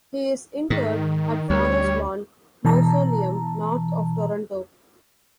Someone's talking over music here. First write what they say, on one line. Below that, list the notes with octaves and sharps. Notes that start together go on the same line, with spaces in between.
He is interred at Forest Lawn Mausoleum north of Toronto.
G#2 D#3
D2 G3 C#5
B2 E3 A5 A#5